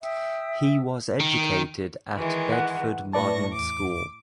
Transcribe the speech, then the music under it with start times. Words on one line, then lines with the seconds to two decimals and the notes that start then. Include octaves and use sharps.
He was educated at Bedford Modern School.
0.03 E5 G5 D#6 E6
1.20 D#3
2.15 D#3 E3 G#3
2.52 F#5
3.13 A2 B4 D5 A5 C#6 A#6
3.54 E2 D6